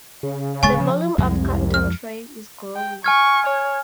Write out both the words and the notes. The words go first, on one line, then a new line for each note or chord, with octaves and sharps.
The volume of countertrade is growing.
C#3
D1 G#3 A3 G#5 C#6 A6
F3
C2 F2 F3 G#3
F6
G5
G#5 C#6 F6 G#6
C#5